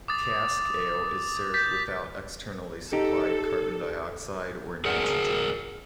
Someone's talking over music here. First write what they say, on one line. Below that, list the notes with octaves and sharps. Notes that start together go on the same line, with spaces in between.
Cask ale is served without externally supplied carbon dioxide or nitrogen.
D6 D#6 A6
G6 A6 B6
D#4 G4 A4
G#4 A#4 D5 F#5